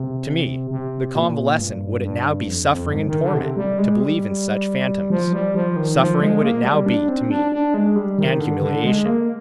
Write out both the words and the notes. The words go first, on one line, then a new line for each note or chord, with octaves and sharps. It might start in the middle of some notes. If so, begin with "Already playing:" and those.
To me the convalescent would it now be suffering and torment to believe in such phantoms: suffering would it now be to me, and humiliation.
Already playing: C3
C3
A#2
G2
G2
F2
F2
G#2
D#3
D3
C3
G3
G#3
G3
F3
G3
F3
D#3
F3
G#3
A#3
G3
D4
C4
D4
D4
G#3
G3
D#3
D3
D3
G#3
A#3